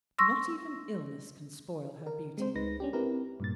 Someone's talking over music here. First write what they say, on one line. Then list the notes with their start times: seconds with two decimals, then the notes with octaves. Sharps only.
"Not even illness can spoil her beauty!"
0.18 C6 C#6 E6 A#6
2.07 A#4
2.38 G#3 C4 C5
2.55 C#2 G#3 D#4 B4 A#6
2.80 C#4 D4 G4
2.93 C4 E4 G4 A#4 B4
3.40 G2 A#2 A6